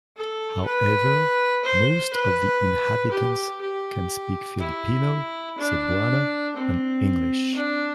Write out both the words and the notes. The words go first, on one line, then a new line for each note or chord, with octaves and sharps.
However, most of the inhabitants can speak Filipino, Cebuana, and English.
A4
B4
C5
B4
G4
G4
E4
D4
C4
D4